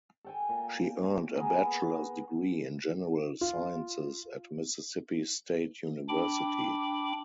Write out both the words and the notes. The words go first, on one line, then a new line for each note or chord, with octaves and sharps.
She earned a bachelor's degree in general sciences at Mississippi State University.
A4 G5 G#5
A#2
B3 G#4 A#4
F4
D4 G5 B5 D6